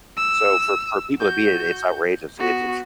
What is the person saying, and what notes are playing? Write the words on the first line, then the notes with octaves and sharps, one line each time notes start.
So for for people to be in it, it's outrageous. It's it's
E6
F#4 G6
B3 F#4